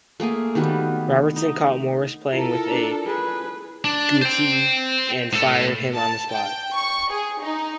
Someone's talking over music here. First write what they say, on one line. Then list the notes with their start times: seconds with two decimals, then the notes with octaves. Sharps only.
Robertson caught Morris playing with a guttie, and fired him on the spot.
0.20 A3 A#3 G#4 G#5
0.55 D#3 G3 B3 F#4
1.36 D#4
2.33 E4 F4 A4 A#4
2.68 D4
3.07 G#4 B4
3.84 D4
4.22 C5 G5
5.33 A2 A4
5.94 A5
6.32 G5
6.74 C#6
7.11 G#4
7.42 D#4